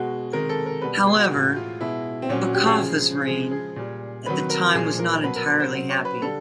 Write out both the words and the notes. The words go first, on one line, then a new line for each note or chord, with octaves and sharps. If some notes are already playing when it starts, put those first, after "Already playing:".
However, Bakaffa's reign at the time was not entirely happy.
Already playing: B2 G#3 F#4
C3 D#3 G#3 A#4
A4
A#4
B2 G3 B4
G#4
F#4
A2 E3 G#3 F#4
F4
B2 G#3 E4
C4
A#2 F#3 C#4
F#4
G4
G#4
C#3 F3 G#3
C#3 F3 G#3 G#4
G#4
A#2 G3
C3 D#3 F#3 B4
A#4
A#2 F3 G#3 G#4
A#4
B2 F#3 B4
A#4
A#4
C5
C#3 F#3 C5
C#5
B4
D3 G3 A4